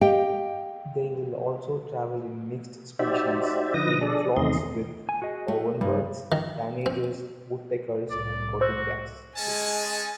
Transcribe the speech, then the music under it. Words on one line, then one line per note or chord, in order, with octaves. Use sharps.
They will also travel in mixed-species feeding flocks with ovenbirds, tanagers, woodpeckers and cotingas.
G4 D#5 F5 G5
D#4 F#4 G4 C5 D5 E5
D3 F3 D#4 B4 D#6 A#6
D4 G#4 A4 D5
E2 C3 D#3 A3 D#5 C6
G#5
F#4 G#4 D#5
A3
G2 G3 D#4
D#3
C4
C2 A2 D5
F#4 C5 E6
G#3 C#4 G#5 A5